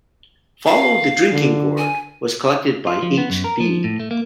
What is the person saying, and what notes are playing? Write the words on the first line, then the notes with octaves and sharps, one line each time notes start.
"Follow the Drinking Gourd" was collected by H. B.
F5
D3
G#5
F4
F3
B3
F#2
A#4
F3
A2
A3
A#3